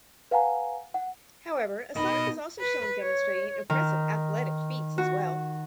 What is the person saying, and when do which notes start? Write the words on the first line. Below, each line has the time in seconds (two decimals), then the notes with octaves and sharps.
However, Asok is also shown demonstrating impressive athletic feats as well.
0.31 B4 F5 F#5 G#5 A#5
0.94 F#5
1.96 B2 B3 D#4 A#4 D#5 B5
2.60 B4
3.02 C#5
3.70 D#3
4.98 F#4